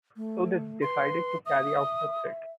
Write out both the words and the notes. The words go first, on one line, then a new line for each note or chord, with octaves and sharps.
So they decided to carry out the threat.
A3
B4 C6
E5 D#6